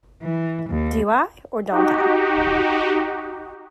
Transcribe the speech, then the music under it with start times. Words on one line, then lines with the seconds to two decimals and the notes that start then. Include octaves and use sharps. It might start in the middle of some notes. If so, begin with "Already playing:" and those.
Do I, or don't I?
0.22 E3
0.70 D#2
1.71 D#4 F#4 G4